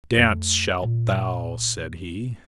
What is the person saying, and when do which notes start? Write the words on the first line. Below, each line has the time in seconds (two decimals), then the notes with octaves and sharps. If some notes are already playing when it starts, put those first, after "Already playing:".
"Dance shalt thou!" said he.
0.17 F2 A3
0.82 A#2